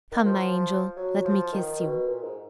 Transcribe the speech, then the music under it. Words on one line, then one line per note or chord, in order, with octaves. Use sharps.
"Come, my angel; let me kiss you."
D#3
F3
F#3
F3
D#3
B2
A#2
G#2